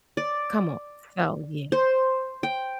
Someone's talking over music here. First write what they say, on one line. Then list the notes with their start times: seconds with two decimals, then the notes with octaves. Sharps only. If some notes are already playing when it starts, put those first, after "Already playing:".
come on, so, yeah.
0.17 D5
1.72 C5
2.43 G5